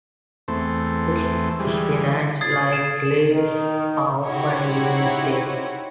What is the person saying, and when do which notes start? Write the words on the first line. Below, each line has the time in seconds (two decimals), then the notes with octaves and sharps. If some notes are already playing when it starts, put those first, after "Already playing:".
Its spinach-like leaves are often eaten steamed.
0.48 E2 A3 C4
1.60 E3 G3 G#3
2.41 D#6 G#6 A6 C7
2.73 C7 E7
3.33 D#3
4.23 D#4 E4 F#4 G4 C5 C#5